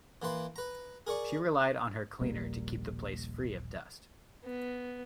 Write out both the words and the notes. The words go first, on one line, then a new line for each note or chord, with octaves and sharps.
She relied on her cleaner to keep the place free of dust.
E3 A#3 B4 C6
B4 A#5
G#4 A#4 D5 C#6
D#1 A#1 G3 A#3
B3